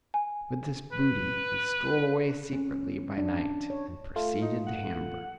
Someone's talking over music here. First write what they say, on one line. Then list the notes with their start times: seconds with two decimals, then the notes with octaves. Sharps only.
With this booty he stole away secretly by night, and proceeded to Hamburgh.
0.14 G#5
0.92 B4
2.53 C#4
3.18 D4
3.70 C#5
4.16 A3 F4
4.42 D#4
4.67 F#5